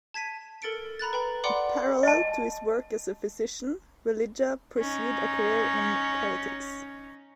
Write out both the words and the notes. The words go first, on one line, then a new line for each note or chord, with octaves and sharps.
Parallel to his work as a physician, Religa pursued a career in politics.
A5 G#6 B6 D#7
A4 A#4 A6 C#7 D7
A#5 B5 F#6 A6
B4 G5 B5
D5 F#5 G5 B5 C6 D6
D#5 A5
C#4 D#4